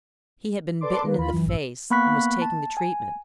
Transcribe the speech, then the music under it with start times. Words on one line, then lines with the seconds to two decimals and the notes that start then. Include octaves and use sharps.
He had been bitten in the face, and was taking the treatment.
0.81 A4 B4 D5 A5 C6 D6
1.04 D#3 A#3 B4
1.18 D#2 F4 B5
1.32 F#2 E3
1.45 A1 G2 E6
1.90 A#3 B3 B5 C#6 F#6 B6
2.42 A5
2.77 G#5